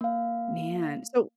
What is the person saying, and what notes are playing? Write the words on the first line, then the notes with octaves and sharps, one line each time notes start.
Man. So,
A#3 F5